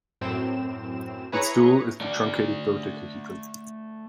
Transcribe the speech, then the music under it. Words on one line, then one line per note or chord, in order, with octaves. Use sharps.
Its dual is the truncated dodecahedron.
F#2 A2 C4 E7
E4 G#4 B4 C#5 A#5 C#7
A3 D5